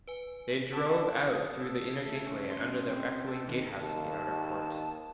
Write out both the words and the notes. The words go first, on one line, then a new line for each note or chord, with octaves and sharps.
They drove out through the inner gateway and under the echoing gatehouse of the outer court.
B4 G#5
F#7
C#4 A5 B6 E7
D#6
A4
G#6
A3
C#4
C6
G#3
C4
A4
D#2
D#2 A5